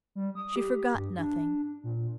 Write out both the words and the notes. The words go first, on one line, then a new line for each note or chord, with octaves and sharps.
She forgot nothing.
G3
D#6
G4
G2
D4
A#2